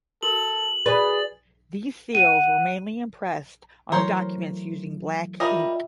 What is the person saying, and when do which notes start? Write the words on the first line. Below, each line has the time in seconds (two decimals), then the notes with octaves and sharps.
These seals were mainly impressed on documents using black ink.
0.23 F#4 A4 A#4 F#7
0.86 F#4 G#4 B4 D5 A6
2.15 F#5 D#7
3.92 E3 F#3 A3 A#4 C5 C#5
5.40 G3 F4 A#4 D#5 E5